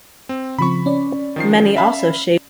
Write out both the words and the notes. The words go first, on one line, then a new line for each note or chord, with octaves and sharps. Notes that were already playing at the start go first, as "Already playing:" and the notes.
Many also shave their head as this is considered hygienic.
C4
C#3 F3 C4 B5 C#6
C#4 D5
D#3 F3 C7
E5 F5 B5